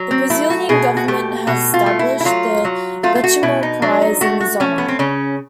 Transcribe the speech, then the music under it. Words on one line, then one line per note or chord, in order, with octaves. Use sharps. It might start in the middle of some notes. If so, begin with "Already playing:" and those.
The Brazilian government has established the Benchimol prize in his honor.
Already playing: F#3
C4
A3 E4
F#4
B2 G#4
F#4
A3 G4
B2 F#4
F4
A3
E4
E4
F#3 F4
F#3
A3 F4
F4
F#4
B2 E4
D#4
F#3 D4
D#4
A3 F#4
F#4
A3 C#4
B3
C4
C#3 C#4